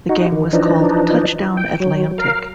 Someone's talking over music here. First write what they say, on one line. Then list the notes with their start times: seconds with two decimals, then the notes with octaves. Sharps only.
The game was called "Touchdown Atlantic".
0.09 D#4 F#4
0.32 D#3
0.53 E3 F3 D4 D#4
1.57 G5
1.80 F#3
2.18 A#4 F5